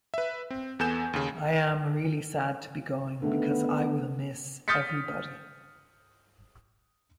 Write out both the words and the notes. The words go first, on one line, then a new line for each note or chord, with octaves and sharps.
I am really sad to be going because I will miss everybody.
B4 E5
C4
E2 B3 A4 G#5 G6 E7
D#2 C#3
D3 D#3 A3 B3
D#6 F6 G6 A6 B6 C#7